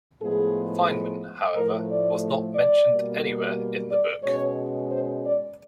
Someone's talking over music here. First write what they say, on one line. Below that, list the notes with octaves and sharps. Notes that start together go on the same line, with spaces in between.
Feinman, however, was not mentioned anywhere in the book.
A2 F3 G#3 B3 G#4
A2 F3 A3 A#4
D5
D5
B2 G3 A#3
D5
B2 G#3 C#4 C#5
C5
D5